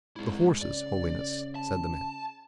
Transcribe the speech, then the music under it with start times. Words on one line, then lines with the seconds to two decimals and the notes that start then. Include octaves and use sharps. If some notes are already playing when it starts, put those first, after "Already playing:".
"The horses, Holiness," said the man.
0.16 G#2 C4 E4
0.62 C#3 D5
1.55 A5